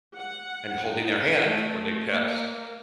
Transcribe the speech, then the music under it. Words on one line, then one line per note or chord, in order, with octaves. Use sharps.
and holding their hand when they passed.
F#5
D#4
A3
A#3